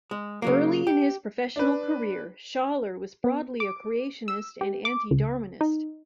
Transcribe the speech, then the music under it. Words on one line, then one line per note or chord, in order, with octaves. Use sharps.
Early in his professional career Shaler was broadly a creationist and anti-Darwinist.
G#3
C#3 F#3 A#3
G4
D4 B4
B3
D6
E6
G4
D6
C#2
D#4